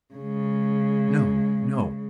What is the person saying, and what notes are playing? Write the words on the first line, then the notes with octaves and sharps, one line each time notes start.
No, no.
C#3 G#3